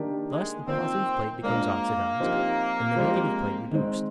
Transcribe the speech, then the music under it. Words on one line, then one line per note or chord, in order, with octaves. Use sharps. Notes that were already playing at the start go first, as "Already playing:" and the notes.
Thus, the positive plate becomes oxidized, and the negative plate reduced.
Already playing: D#3 A#3 D4 G4
G#3
D#3 A#3 C4 F4 C5
G#3 A#3 D4 F4 C5
F3 C4 D#4 G4 A#4
F3 G#3 C4 G4 C5
D#3 G#3 C4